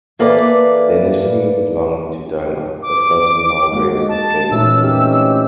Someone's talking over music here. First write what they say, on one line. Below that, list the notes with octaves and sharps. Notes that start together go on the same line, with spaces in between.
They initially belonged to Dohna, but fell to the Margraves of Dresden.
E3 A#3 A4 B4 D5
D6
G#3 A#3 F#4
A5
A#2 E3 A3 C#4 D#4 A#4 E6
A3 C4 G4